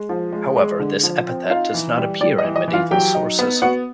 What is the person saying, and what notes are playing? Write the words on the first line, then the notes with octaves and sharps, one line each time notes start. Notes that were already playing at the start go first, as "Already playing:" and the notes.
However, this epithet does not appear in medieval sources.
Already playing: G#3
F3
G#3
G#3
D3
F3
C4
D#4 F4 F5
E3
G3
G3 D5
D#5
E3
D#5
E3
F4 F5
F#3 G4 G5
D#4
B3
B3 F#4 F#5